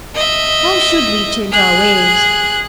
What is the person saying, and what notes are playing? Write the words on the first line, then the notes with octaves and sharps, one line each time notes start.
Why should we change our ways?
D#5 E5
G#4 F#6